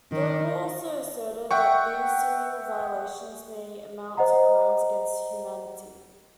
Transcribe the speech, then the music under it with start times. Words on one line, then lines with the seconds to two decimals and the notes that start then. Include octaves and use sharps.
The report also asserted that these serial violations may amount to crimes against humanity.
0.12 D#3
1.51 E5 F#5 G5 C#6
4.17 C5 D#5 F#5 A#5